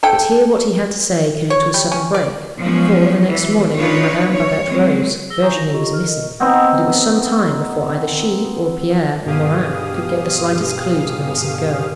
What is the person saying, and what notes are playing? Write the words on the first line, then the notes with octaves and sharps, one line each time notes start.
But here what he had to say came to a sudden break; for, the next morning, when Madame Babette rose, Virginie was missing, and it was some time before either she, or Pierre, or Morin, could get the slightest clue to the missing girl.
A4 G5
C#5
G3
C#4
D5
F3 F#3 G#3 B3 C#4
E3 B3
D4 D#4 F4 B4 C#5
D#3 G3 C#5
F#3 G#3 C4
G#4 E6 A#6 G7
F5 G#5 A#5 C#6 D#6 G6
D#4 A#6
F4 G4 A4 D#5 A#5 C#6
F6
A#4 D#5
B3 C4 D#4
G2 B2 G4 G#4 F5 D#6